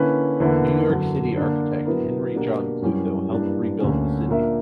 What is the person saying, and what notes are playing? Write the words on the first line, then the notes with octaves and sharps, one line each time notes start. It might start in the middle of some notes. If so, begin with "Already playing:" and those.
New York City architect Henry John Klutho helped rebuild the city.
Already playing: D3 A#3 C#4 E4 B4
E2 D3 A#3 E4 B4
F#2 D3 F#3
D3 A#3 D4
F#3 B3 E4 A#4
B2 A#3 D4 G4 A#4
F#2 E3 G3 C#4 G4
G2 E3 A#3 D4 G4
D2 D3 A#3 C#4
A#2 A#3 D4 A#4 E5